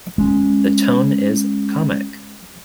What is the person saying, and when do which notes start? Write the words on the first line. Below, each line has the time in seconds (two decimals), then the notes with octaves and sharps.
The tone is comic.
0.18 G#3 C#4